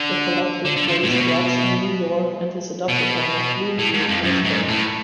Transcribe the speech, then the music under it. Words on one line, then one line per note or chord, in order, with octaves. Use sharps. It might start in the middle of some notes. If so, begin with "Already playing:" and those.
The collective plays clubs in New York and his adopted home of Bloomfield, Connecticut.
Already playing: D3
D3
D3
F3
A2
B2
B2
A2
G#2
F2
F#2
G#2
A2